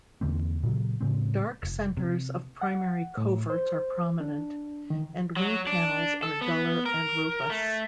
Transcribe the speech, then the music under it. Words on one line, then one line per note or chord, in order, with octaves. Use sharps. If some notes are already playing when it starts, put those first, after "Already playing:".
Dark centers of primary coverts are prominent, and wing panels are duller and rufous.
E2 D3 A#3 C4
A#2 C#3 F#3
A2 C#3 G#3 C4
F1
C3
F#5
A2
C5
D4
D#3
F#3
D4
A4
B3
A#4
A3